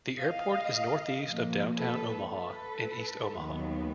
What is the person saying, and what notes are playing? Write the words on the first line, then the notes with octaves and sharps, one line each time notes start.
The airport is northeast of downtown Omaha in east Omaha.
D#5 F5
A#2 F3 A#3
A4 B4
A4 B4
D#2 D#3 F#3 B3